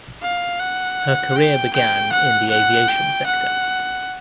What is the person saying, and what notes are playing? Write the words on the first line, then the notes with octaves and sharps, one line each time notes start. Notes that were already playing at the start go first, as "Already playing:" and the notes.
Her career began in the aviation sector.
F5
F#5
G5
G5
F#5
F#5
G5
F#5